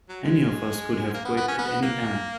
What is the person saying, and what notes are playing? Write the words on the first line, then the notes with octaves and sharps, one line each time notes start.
Any of us could have quit at any time.
F#3
G#3
A#3
B3
B3
C#4
B3
A#3